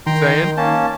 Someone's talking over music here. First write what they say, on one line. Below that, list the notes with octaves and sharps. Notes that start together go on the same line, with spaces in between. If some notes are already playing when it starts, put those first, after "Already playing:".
Just saying.
D#3 G5 A#5 C6
A#3 C#4 A5